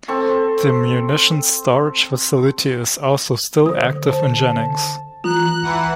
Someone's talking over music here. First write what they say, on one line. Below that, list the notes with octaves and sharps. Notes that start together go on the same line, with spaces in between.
The munitions storage facility is also still active in Jennings.
C4 A4 C#6
D3 C5 D#6
C5 A5
E3 F4 A#5 F#6
C#2 E3 F#5